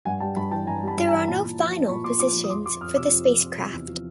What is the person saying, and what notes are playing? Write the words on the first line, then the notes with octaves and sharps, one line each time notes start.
There are no "final" positions for the spacecraft.
G2 F#5 G#5
G3 G5 A5
G2 A5 B5
E3 G5 A5
G2 G#5 A#5
G3
A5 B5
G2
G#5 A#5
E3
A#2 A5 B5
A#2
F3
F3
A#2 B5 C#6
A#2 C6 D6
F3 C6 D6
F3
D#6
F2 C6 D6
F3 C6 D6
F2 D#6 F6
C3 D6 E6
F2
F3
F2
C3
E2
F3